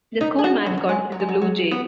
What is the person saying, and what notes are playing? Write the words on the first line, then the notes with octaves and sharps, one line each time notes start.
The school mascot is the blue jay.
D#4
G#4
F#4
F#3
F#3
G#3
F#3
G#3
F#3
F#3
B3